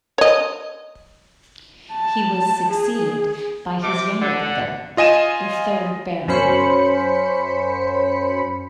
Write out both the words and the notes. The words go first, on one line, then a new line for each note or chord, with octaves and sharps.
He was succeeded by his younger brother, the third Baron.
C#5 D#5
A5
G#4
C3 D6
D3 F#5
F4 D#5 G#5 D#7 E7
F#2 C#4 C5 B5 C#7